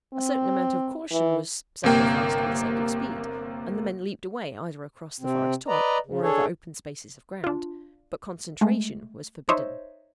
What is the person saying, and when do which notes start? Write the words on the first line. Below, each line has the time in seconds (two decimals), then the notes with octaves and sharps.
A certain amount of caution was sacrificed for the sake of speed, and the men leaped away either across the forest top, or over open spaces of ground, but concentration was forbidden.
0.13 C4
1.11 E3
1.84 G1 C3 A#3 G5
5.21 C3 C4
5.68 B4 D5 D#5 A#5
6.06 C#3
6.21 D4 G#4 A4 C#5
7.44 D4 F4
8.61 G#3 A3
9.49 D#4 C5 C#5 D#5 E5